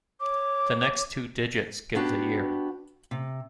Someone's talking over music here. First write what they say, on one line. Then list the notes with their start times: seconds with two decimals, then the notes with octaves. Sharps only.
The next two digits give the year.
0.20 C#5 D6
1.95 B3 D4 F#4 G4
3.11 C3